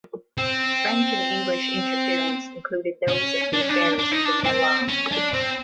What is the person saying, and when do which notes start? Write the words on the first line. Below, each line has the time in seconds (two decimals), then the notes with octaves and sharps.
French and English interference included those of the affairs of the Nawab.
0.38 C4
3.08 C#4
3.53 D4
3.61 C#4
3.69 D4
3.99 D4
4.11 D#4
4.25 D4
4.44 C4
4.88 C#4
5.11 D4
5.33 C4